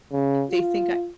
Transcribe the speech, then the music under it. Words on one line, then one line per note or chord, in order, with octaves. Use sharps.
they think I
C#3
F4